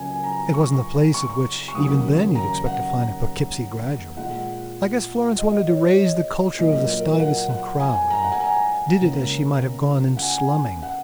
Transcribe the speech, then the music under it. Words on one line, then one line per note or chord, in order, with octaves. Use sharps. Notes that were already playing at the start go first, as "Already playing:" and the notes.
It wasn't the place at which, even then, you expected to find a Poughkeepsie graduate. I guess Florence wanted to raise the culture of the Stuyvesant crowd and did it as she might have gone in slumming.
Already playing: C#2 C#3 F#3 A#3 G#5
A#5
C#6
C#6
C#6
D#2 C#3 F#3 A#3 D#6
A#5
F#5
A#2 G#3 F#5
D#5
C#5
D#5
A#2 F#3 A#3 D#5
A#4
F#5
F#5
G#5
A#5
F#5
G#5
A#5
C#2 C#3 A#3
F#5
G#5
F#5